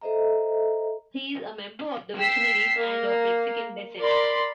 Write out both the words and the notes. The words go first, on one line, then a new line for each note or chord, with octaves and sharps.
He is a member of The Visionaries and Of Mexican Descent.
A4 C5 D#5 E5 A#5
G5 E6 B6 C7
A#3
A#4 D5 B5 C6